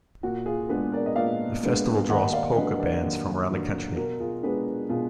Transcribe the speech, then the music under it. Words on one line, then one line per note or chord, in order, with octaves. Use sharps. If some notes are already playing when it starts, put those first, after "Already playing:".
The festival draws polka bands from around the country.
A#2 F#4
F4 G#4
G#3 B3 D4 G#4 B4
A#4 D5
D#5
A#2 D5 F5
G#3 B3 D4
D#2 D#5 F#5
D5 F5
D3 F#3 D4 B4 D#5
A#4 D5
D#2
D3 F#3 D4
B2 F#4 A#4
F4 G#4
G#3 B3 D4 G#4 B4
B2 F4 G#4